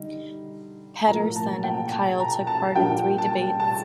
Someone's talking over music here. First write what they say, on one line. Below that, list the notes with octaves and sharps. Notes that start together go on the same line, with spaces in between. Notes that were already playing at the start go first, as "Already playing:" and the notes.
Pederson and Kyl took part in three debates.
Already playing: D3 G3 D#4
A2 F3 A#3 A#5
A5
G5
A5
A#5
A5
A#2 G3 A#3 D4 G5
A5
A5